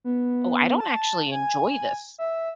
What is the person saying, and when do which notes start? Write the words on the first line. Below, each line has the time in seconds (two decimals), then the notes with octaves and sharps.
"Oh, I don't actually enjoy this
0.04 B3
0.80 A5
1.32 G#5
2.18 E5